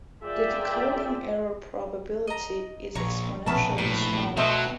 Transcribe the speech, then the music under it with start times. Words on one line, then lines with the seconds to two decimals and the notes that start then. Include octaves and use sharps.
The decoding error probability is exponentially small.
0.23 F4 G#4 A#4 D5 E5 G5
2.27 D#5 A#5
2.95 A#1 C#5 A#5 C#6
3.46 A#1 B2 B3 C#4 A#4 B4 E5 A5
3.78 A2 B4 A#5
4.37 B2 F#3 A3 C5 D#5 E5 G5